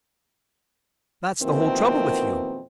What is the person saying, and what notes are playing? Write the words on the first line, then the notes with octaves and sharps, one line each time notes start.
That's the whole trouble with you!
F2 B2 D#3 E3 A#3 C4